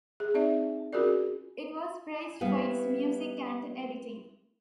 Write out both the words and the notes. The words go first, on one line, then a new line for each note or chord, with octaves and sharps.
It was praised for its music and editing.
G#4
C4 D#4 D5 E5
C#4 F4 F#4 G#4 A#4 D5
G3 B3 E4 B4 F5